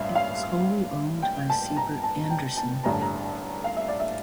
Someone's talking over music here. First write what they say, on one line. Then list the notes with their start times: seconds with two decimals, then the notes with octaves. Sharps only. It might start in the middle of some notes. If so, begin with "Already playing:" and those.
It was wholly owned by Sievert Andersson.
Already playing: A1 G2 E5 F5
0.15 F5
1.22 G5
1.50 A5
1.76 A#5
2.03 A5
2.30 G5
2.57 A5
2.84 A1 G2 D3 G3 A#5
2.93 A5
3.01 A#5
3.25 A5
3.64 F5
3.76 E5
3.88 D5
4.00 E5